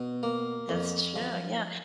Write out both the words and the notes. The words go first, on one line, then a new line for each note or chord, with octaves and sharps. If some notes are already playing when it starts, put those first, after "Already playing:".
that's true, yeah,
Already playing: B2
A#3
F2
F3